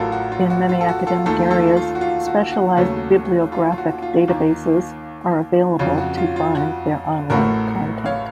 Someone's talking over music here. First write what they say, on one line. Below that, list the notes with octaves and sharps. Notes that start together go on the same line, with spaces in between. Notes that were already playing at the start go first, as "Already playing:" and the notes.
In many academic areas, specialized bibliographic databases are available to find their online content.
Already playing: A1 A2 F#3 F4 F#4 A4 A#4
F#4
F4
F#4
F4
A4
F#4
F4 A4
D#2 D#3 A3 F4 A4
F4 A4
F4
F#4
F4
F#4
F#4
D#2 C#3 F#3 A3
F4
F4
F#4
F4
D#2 D#3 A#3
F2 C#3 F#3 F4
F#4
F4
F4
F#4
A1 A2 A3 F#4 A#4
C#5 F5